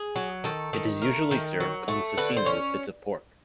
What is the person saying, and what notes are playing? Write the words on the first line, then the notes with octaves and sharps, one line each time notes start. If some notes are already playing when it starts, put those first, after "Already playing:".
It is usually served con cecina with bits of pork.
Already playing: G#4
F#3
D#3 A4
D#3
A3 A#4
D#3
F#3
A3
D3 B4
C5
C#4